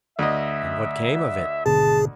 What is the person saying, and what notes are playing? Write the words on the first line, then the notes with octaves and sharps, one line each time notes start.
"And what came of it?"
D2 D#5 E5
G#1 B2 D3 G#4 A5